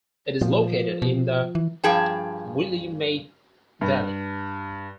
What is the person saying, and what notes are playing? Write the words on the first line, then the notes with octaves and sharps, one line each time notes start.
It is located in the Willamette Valley.
A#2 F3
B2
E3
G2 F3 G#4 G5 A5
G2